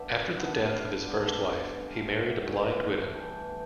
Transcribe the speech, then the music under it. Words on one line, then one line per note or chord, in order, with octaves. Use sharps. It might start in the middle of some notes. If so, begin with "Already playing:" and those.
After the death of his first wife, he married a blind widow.
Already playing: G2 D3 G3 B3 D5 E5
G2 D3 G3 B3 E5
F5
G2 D3 G3 B3 D5
F5
G2 E3 A3 F5
F5
E5
G2 E3 A3
G2 E3 A3 G5
G5